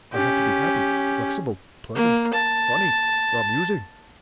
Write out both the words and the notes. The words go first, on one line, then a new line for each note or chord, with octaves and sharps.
I have to be happy, flexible, pleasant, funny, amusing.
C#4 G4
A#3
A5